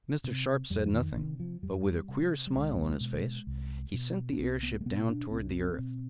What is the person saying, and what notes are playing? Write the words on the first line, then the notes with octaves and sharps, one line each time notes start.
Mr. Sharp said nothing, but, with a queer smile on his face he sent the airship down toward the earth.
C3
F2 G3
F3
D#3
C3 D#3
F3
F2 G3
C3
G3
C2 G#3
B2
C2
B2
D4
C2 C4
B3
G#3
B2 B3
D4
C2 C4
D4
C4
B2